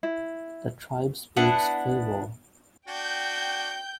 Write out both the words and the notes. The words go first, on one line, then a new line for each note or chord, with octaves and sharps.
The tribe speaks Faiwol.
E4
B3 D4 E4 F#5
D4 F#4 G5 G6